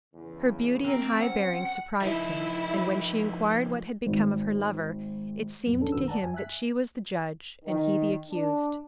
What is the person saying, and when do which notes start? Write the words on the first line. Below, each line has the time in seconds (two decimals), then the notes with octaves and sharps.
Her beauty and high bearing surprised him, and when she inquired what had become of her lover, it seemed to him that she was the judge, and he the accused.
0.14 E2 C#3
0.85 A#1 C4 A#4
1.21 F#3 C4 C#4 F#5
2.01 F3 D#4 E4
4.06 G#1
5.66 F2 A#2 F#3 B3
5.80 C#4 D4 A4
5.92 B1 G2 D#3 F#4 B4 E6
6.08 D5 F#5 A5 A#5
6.22 F#2 G#5
6.34 E5 G#5 F#6 B6
7.65 D#3
8.31 D4